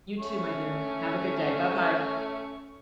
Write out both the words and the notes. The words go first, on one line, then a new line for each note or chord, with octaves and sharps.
You too, my dear. Have a good day. Bye-bye.
A3 C#4 C#6